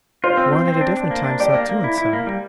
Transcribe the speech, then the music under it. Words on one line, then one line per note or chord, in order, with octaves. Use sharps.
One at a different time saw two inside.
F4 C5
C4
C4
C4
D4
D4
A#3
D4
G4 D5
A#3
A#3
E4
E4
A#3
G3